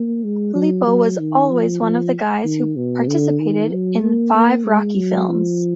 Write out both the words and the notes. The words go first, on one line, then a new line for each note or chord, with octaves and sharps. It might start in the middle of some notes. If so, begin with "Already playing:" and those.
Filippo was also one of the guys who participated in five Rocky films.
Already playing: A#3
G#3
F#3
F#3
D#3
F3
F3
D#3
B2
D3
D#3
F#3
A#3
A#3
G#3
F#3
F3